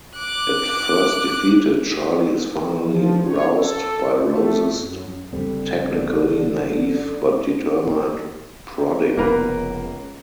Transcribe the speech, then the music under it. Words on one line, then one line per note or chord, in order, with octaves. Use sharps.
At first defeated, Charlie is finally roused by Rose's technically naive but determined prodding.
D6 F#6
F3
C#5
A4
A3
F#2
F#1 D3 G3 C4
F1 C#2 A#3 B3 A#4 B4